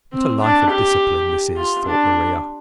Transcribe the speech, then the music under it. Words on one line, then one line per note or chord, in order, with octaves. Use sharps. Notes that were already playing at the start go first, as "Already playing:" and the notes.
"What a life of discipline this is!" thought Maria.
C4
D4
G4
F4
D4